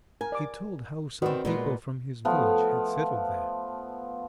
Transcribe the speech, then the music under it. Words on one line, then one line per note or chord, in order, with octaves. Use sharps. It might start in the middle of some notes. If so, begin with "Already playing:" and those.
He told how some people from his village had settled there.
A#4 G#5
D5 D6
D#3 C4 F#4 B4 D5
A#2 G#3 B3 A#4
F3 A3 B3